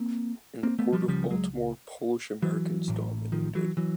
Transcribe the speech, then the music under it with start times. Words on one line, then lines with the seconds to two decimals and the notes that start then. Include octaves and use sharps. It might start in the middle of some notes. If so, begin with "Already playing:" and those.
In the Port of Baltimore, Polish Americans dominated.
Already playing: A#3 C4
0.63 A#3 C4
0.79 A3 B3
0.93 F3 G3
1.08 C#2 C#3 F3 G3
1.30 F#3 G#3
2.42 E3 F#3
2.88 A1 A2
3.32 D#3 F3
3.55 E3 F#3
3.77 E3 F#3